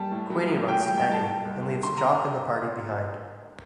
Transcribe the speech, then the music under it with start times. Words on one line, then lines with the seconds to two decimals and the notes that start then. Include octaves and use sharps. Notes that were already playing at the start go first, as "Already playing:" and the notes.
Queenie runs to Eddie and leaves Jock and the party behind.
Already playing: G3 A5
0.12 A2
0.30 F#3
0.50 A2
0.68 A2 G5
0.83 G3 G5
0.98 G5
1.07 G3 A5
1.26 G3
1.45 C2
1.64 C2
1.83 D3 C6
1.98 A#5